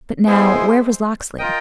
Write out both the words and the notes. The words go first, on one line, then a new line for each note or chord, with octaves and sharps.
"But now, where was Locksley?"
G#3 B3 E4 G#4 C5
F4 A#4 D#5 G5